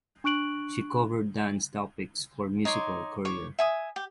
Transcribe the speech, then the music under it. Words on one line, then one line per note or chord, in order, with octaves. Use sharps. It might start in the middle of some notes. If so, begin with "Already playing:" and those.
She covered dance topics for "Musical Courier".
D4 C#6 F#6 D7 F#7
D#4 C#5 C6 D6
C#5 C#6 D6
E5 G#5 D#6
G4